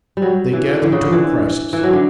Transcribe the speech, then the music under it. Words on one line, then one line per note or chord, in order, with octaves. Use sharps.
They gathered to a crisis.
G3
F#3
E3
D3
C#3
D3
E3
E3
F#3
D3